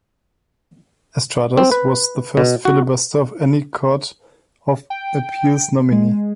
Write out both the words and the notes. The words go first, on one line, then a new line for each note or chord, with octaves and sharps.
Estrada's was the first filibuster of any court of appeals nominee.
C4
B4
B2
F#4
G5
G#3